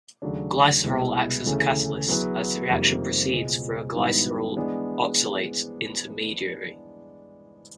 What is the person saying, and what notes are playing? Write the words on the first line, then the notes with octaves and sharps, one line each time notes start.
Glycerol acts as a catalyst, as the reaction proceeds through a glyceryl oxalate intermediary.
D#2 C#3 F#3 A3 D4
C2 B2 G#3 B3 E4
D2 C#3 E3 A3 C#4
F#3 B3 E4 G#4 B4
F2 C3 D#3 G3 A#3
C#2 B2 G#3
G#2 D#3 G3 B3 E4
E3 G#3 B3 D4